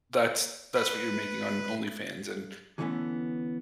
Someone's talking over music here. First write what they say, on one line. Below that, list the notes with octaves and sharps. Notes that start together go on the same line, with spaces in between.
that's that's what you're making on OnlyFans, and
B4
D3 E3 G3 A3 B3 C#4